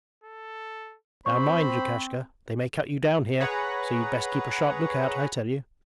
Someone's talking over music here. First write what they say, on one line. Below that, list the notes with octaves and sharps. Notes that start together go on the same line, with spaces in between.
'Now mind, Lukashka--they may cut you down here, so you'd best keep a sharp look-out, I tell you!'
A4
C4 C5 B5 C#6
G#4 B4 C#5 F#5 A#5